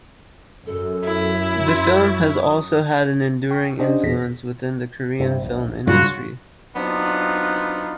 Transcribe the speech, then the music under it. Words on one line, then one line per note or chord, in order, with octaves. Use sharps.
The film has also had an enduring influence within the Korean film industry.
F#2 A4
E4
C6
C#6
D#6
G5 C#6
C#4 D4 G4 C5 D#5 F#5
E2 A#2 G#4 A#6 B6
G2 C3
D1 A#1
C#2 G2 C#3 F#3 F4 F#4
F#3 B3 C4 D4 D#4 F4